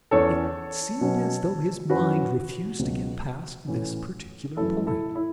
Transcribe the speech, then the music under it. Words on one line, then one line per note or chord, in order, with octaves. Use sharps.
It seemed as though his mind refused to get past this particular point.
E2 E3 C#4 A4 C#5
B2 F#3 C#4
F#2 E3 C#4 F#4 B4
F#4
C#2 B2 F#3
A2 E3 C#4
F#2 E3 A3 E4 A4
E4 A4
E4